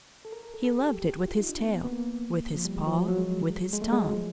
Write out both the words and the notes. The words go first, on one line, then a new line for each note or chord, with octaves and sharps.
He loved it with his tail, with his paw, with his tongue.
A4
A#4
A#4
A4
A4
G4
G#4
G4
F4
D#4
D4
B3
A#3
B3
A#3
F3
G3
G#3
F3
F#3
F#3
G#3
G#3
A3
G#3
F#3
F3